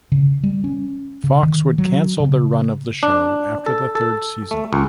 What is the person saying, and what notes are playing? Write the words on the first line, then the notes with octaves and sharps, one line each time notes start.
Fox would cancel their run of the show after the third season.
C#3
G3
C#4
C#3
D#3
F#3
C#3
D4
A4
A4
A3
C#2